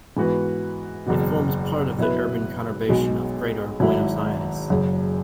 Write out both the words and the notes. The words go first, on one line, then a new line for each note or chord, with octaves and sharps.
It forms part of the urban conurbation of Greater Buenos Aires.
G#2 E3 B3 F#4 B4
F#1 E2 B2
B2 F#3 E4 B4
B1 B2 G#3
G#1 G#2 F#3 E4
F#1 F#2 C#3